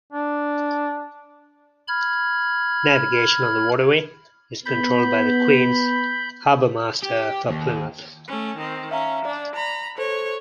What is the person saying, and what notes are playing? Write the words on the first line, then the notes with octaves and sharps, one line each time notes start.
Navigation on the waterway is controlled by the Queen's Harbour Master for Plymouth.
D4
B5 F6 G#6
B3 B5 G6
G4
D#2
A3 C#4
D#3 C4
C#4 E5 F5 A#5
D4 D5
A#5 B5
A4 C5 C#5